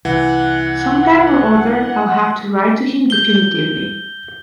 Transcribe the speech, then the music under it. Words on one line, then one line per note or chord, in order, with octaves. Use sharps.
Some time or other I'll have to write to him definitively.
C2 E3 F#5
G6 G7